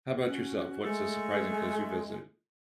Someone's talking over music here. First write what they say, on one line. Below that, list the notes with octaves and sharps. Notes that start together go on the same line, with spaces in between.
How about yourself- what's a surprising place you visited?
C#4 F#4
G#3 A3